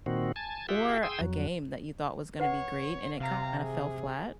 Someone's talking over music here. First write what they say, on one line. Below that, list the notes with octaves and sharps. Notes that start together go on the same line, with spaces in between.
or a game that you thought was gonna be great and it kinda fell flat?
A#2 D#3 C4 F#4
G#5 A5
F4 G4 G#4 E5 F#5 G5
G#4 G5 C6 D#6 E6
F2 F#3
B4 C#5 F#5
C3 F5 A#5
G#4